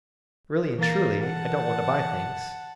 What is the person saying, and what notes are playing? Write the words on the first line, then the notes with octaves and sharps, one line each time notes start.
Really and truly, I don't want to buy things.
E3 A#3 A6
F#5 A5